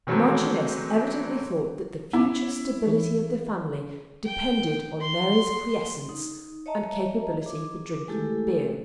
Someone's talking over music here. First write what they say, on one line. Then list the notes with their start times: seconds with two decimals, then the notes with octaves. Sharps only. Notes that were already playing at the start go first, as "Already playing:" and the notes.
The Marchioness evidently thought that the future stability of the family depended on Mary's quiescence and capability for drinking beer.
0.07 D#3 E3 F#3 G#3 A3 C4
2.13 B3 E4 D6
2.86 E3 D#4 G#4
4.25 G5
5.01 C6
6.09 D#4
6.66 C#5 D#5 E5 A5 A#5
7.42 G#4 D6
8.08 G#3 A3 E4 G4 A4